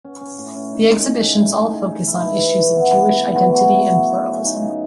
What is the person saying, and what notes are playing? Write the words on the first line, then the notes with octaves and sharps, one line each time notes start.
The exhibitions all focus on issues of Jewish identity and pluralism.
C#4
C#4
A2
C#4
D#4
G#3
G#4
A2
D#4
G#4
G#4
D#4
E4
E3
E3
A3
B3
E3
E3
B3
F#3
E4
F#3
E4
C#3
C#3
D#4
C#3